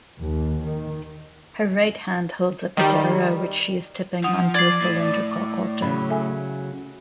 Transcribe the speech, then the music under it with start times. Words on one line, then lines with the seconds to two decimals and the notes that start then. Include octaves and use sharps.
Her right hand holds a patera which she is tipping onto a cylindrical altar.
0.21 D#2
0.62 D#3
2.77 D#3 G3
4.24 F3 F#5 D#6 F7
4.54 D5 G#6 C7
4.81 A2
5.82 C#3 F#3 B5
6.10 A4 E5 G#5